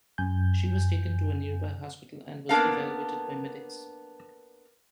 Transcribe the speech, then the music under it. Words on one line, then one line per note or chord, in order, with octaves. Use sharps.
She was taken to a nearby hospital and was evaluated by medics.
F#2 G#5 G6
A#3 B3 D4 A4 A#4 F5